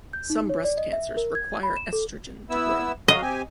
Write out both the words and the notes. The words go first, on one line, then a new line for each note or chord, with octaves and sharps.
Some breast cancers require estrogen to grow.
G6
D#4
C#5
D5
D#5
E5
A#4
G#6
B5
E7
A4
B3 E4 E6
F#3 F#4 D#5 F5
C4 G4 G#5